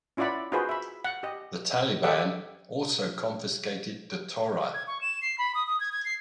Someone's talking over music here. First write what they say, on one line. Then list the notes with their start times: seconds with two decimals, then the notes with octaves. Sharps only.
The Taliban also confiscated the Torah.
0.17 C#4 E4 F4 D5 F#5 B5
0.52 D#4 F4 F#4 G#4 B4 C5
0.69 E5 B5
1.04 F#5
1.23 G4 D#5
2.04 G4 A4 D5 E5 F#5
4.74 G#6
4.87 C#6
5.01 E7
5.22 C7
5.38 B5
5.55 D#6
5.67 D#6
5.80 G#6
5.92 G#6
6.05 C7